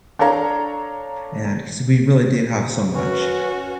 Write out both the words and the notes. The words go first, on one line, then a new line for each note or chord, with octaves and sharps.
and 'cause we really do have so much,
D4 A4 C#5 F5 A#5
F#2 C#4 F#4 B4